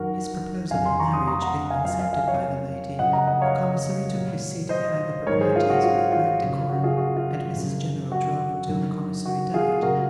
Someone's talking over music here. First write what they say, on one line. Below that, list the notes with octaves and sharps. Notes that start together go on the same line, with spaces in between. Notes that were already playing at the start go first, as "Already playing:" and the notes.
His proposal of marriage being accepted by the lady, the commissary took his seat behind the proprieties with great decorum, and Mrs General drove until the commissary died.
Already playing: F#2 D#3 F#3 F#4 A#4
F2 C3 F#3 F5 G#5
G#5 C6
A#5 C#6
C6 D#6
A#5 C#6
F#5 A#5
F5 G#5
F#2 F3 F5 G#5
F5 G#5
F5 G#5
C#5 F5
F#2 C#3 F3 D#5 F#5
F#5 A#5
D#5 F#5
C#5 F5
A#2 F#3
C5 D#5
G#2 D#3 F#3 A#4 C#5
G#4 C5
F4 G#4
F#4
F4
F4
F#2 C#3 F3
F#4
F4 G#4
F#4
F4
F#2 C#3 F3
F#4
F#2 D#3 F#3
F#4
F4 G#4
C#3 F#3 F#4 A#4